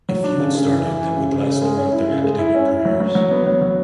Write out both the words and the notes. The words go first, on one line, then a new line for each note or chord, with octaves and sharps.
A feud started that would last throughout their academic careers.
F#3
D4
C#3
C#3
E3
E3
E3
C#3
C#3
C#3
G#3
C#4
E4
C#3
G#3
E4
C#4
E4
F#3
F#3
F#3
B3
F#3
F#3